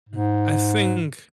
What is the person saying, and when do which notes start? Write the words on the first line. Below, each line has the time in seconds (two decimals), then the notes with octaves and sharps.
Hmm, I think
0.09 G#2